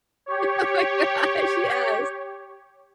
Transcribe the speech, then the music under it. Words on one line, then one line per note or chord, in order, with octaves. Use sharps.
Oh my gosh, yes.
G4 C#5